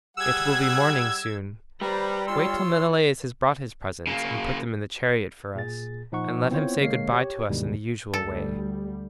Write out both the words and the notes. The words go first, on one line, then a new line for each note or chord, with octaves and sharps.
It will be morning soon; wait till Menelaus has brought his presents and put them in the chariot for us; and let him say good bye to us in the usual way.
G3 G#4 F#5 E6 G#6
G3 B4 C5 A#5
F4 C#5 C6 E6
C#3 A#3
A#2 G#4 A6
A#2 F3 D#4 F#5 C#6
B3 C4 E4 F4 C5 C#5
D3 G#3 A#3 C#5 F5 C7
G4 C#5
D2 G2 B2 D#3 G3 G#3
D2 G3 A4